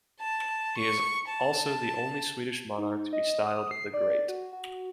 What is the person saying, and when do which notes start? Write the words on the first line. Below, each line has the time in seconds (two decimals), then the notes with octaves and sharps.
He is also the only Swedish monarch to be styled "the Great".
0.20 A5
0.77 C#6
1.28 A5
2.78 D#4
3.13 D#5
3.47 D#6
3.71 C7
3.94 D5
4.28 F#4
4.53 F#4